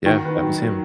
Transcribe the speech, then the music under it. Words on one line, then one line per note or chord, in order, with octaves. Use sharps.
Yeah, that was him.
D#3 F#4
B4
F#3
F#3